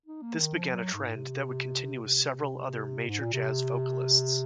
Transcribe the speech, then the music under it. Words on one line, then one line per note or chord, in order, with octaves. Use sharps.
This began a trend that would continue with several other major jazz vocalists.
D#4
A#3
D#3
F3
F#3
G#2
C3
C3
G#2
A#2
C3